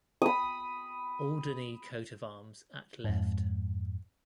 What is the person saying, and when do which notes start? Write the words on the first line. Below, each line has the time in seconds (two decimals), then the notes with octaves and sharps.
Alderney coat of arms at left.
0.22 B5 D#6
3.04 F2 G#2